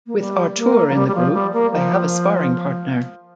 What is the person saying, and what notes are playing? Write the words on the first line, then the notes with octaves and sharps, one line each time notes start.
With Artur in the group, I have a sparring partner.
A#3
G3
A#3
F3
G3
G3
F3
G3
A#3
F3